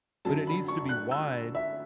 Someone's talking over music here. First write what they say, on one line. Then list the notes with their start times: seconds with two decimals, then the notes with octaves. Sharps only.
but it needs to be wide
0.25 F#2 D3 F#3 A5
0.47 B5
0.68 C#6
0.89 F#6
1.11 E6
1.55 E5